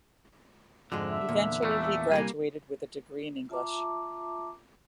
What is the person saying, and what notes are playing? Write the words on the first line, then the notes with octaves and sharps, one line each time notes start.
Eventually he graduated with a degree in English.
F2 G#2 D3 G#3
E5
E2 A#2
E2 A#2 D3 A3
C2 C#3 G3 A3 A#3 G#5
F4 E5 A5 A#5 D6